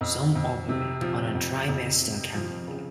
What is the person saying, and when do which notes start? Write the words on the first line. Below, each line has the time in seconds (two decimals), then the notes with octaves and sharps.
Some operate on a trimester calendar.
0.01 F2
0.35 F2
0.69 C3
1.01 F3
1.35 F2
1.68 F2
2.00 C3
2.34 F3
2.67 C#3